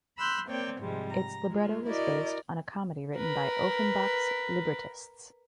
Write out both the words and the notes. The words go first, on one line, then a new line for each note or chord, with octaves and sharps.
Its libretto was based on a comedy written by Offenbach's librettists.
B5 C6 E6 F#6 G6
A#3 C4 C#5 D5 G5
G#2 C3 F3 G3 G#3
A#5
G#3 F4
E4 F#4 A#4 D5 D#5
A#4 B4